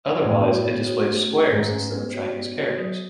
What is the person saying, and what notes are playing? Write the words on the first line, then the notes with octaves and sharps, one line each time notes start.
Otherwise, it displays squares instead of Chinese characters.
A2 B3
F#4 C#5
B3
F#4 C#5
A3
C#4 G#4 B4
G#2 A3
C#4 G#4 B4
B3
F#4 C#5
B3
F#4 C#5
F#3